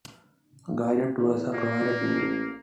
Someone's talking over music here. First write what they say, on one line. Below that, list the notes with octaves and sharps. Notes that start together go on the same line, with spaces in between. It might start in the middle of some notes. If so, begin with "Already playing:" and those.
Guided tours are provided daily.
E2
A#2 A#3
A1